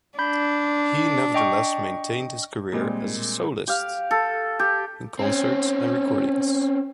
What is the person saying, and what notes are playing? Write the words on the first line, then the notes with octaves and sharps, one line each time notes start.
He nevertheless maintained his career as a soloist in concerts and recordings.
D4 B5 G6
D#5 G5 C#6
A#2 G3 G#3 A#3 C4
G4 F5
A4
G4
C4 C#4